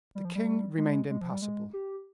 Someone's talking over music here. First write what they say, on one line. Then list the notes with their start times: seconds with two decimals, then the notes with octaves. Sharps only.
The king remained impassible.
0.15 G3
0.25 F3
0.35 G3
0.78 G#3
1.10 G#3
1.21 F3
1.31 G3
1.42 G#3
1.73 G4